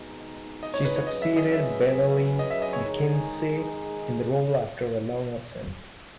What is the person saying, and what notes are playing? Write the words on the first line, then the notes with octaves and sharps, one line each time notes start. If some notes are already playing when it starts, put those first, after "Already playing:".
She succeeded Beverlee McKinsey in the role after a long absence.
Already playing: B2 G#3 D#4
D#5
C#5
B4
C#5
F#3 C#4 G#4 B4 D#5
E5
D#5
E5
D#5
E5
D#5
C#5
D#3 G#3 D#4 G#4 D#5